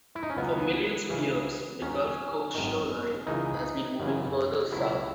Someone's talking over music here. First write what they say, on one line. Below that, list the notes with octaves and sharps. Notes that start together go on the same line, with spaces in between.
For millions of years, the Gulf Coast shoreline has been moving farther south.
E4
D#4
C#4
C#2 C#3 F#3 B3
C#2 C#3 E3
D#2 D#3 F#3 C#4
G#1 F#2 D#3
C#2 C#3 E3 D#4
F#2 C#3 E3
C#2 B2 F#3 E4